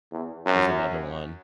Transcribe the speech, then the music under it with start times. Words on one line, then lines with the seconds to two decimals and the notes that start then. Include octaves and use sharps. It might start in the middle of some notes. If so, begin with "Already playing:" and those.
was another one.
0.11 E2
0.46 F#2